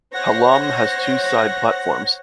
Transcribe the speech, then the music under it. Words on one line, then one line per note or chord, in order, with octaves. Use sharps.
Hallam has two side platforms.
C5 C#5 F#5 A#6